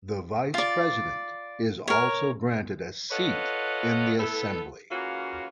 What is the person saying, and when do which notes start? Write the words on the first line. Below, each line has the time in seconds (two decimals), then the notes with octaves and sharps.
The Vice President is also granted a seat in the assembly.
0.54 F4 D5
1.88 A#4 C#5
3.11 F4 A4 B4 C#5 D#5 F#5
4.19 B3 E4 A4
4.90 C#3 E3 A#3 C#4 F4 F#4